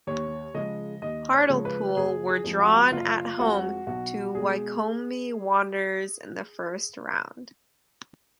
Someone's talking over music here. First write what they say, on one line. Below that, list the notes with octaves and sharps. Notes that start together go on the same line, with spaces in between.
Hartlepool were drawn at home to Wycombe Wanderers in the first round.
D#2 C#5
C#3 F3 G#3 D#5
D#2 D#5
C#5
C#3 F3 G#3
B4
F#1 G#4
G#4
F2 F3 G#3
F#4
F#1 F4
F2 F3 G#3 F#4
B1 F#4
B2 G#3 G#4